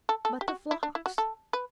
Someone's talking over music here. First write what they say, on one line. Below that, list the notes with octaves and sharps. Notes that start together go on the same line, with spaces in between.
"But the flocks!"
A4
A4
G4
F#4
E4
D4
E4
F#4
A4
B4